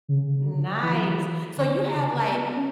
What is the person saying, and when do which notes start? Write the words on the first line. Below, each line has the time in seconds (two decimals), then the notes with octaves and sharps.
Nice. So you have, like,
0.08 C#3
0.36 C#3
0.45 D3
0.82 E3
0.92 F#3
1.01 E3
1.20 E3
1.57 D3
1.95 C#3
2.31 B3
2.56 C#4